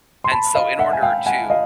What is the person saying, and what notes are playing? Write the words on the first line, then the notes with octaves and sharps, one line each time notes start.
and so, in order to
C6
A5 B5
D#5 F5
E5 F#5
G#5
F5 G5
F#5 G#5
D#5 F5